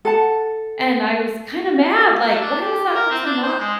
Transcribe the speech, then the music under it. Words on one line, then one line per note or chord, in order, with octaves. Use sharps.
And I was kinda mad, like, "Why was that person not
A4 F#5 A5
A3
D4
G4
A#4
C4
D4
C5
G#3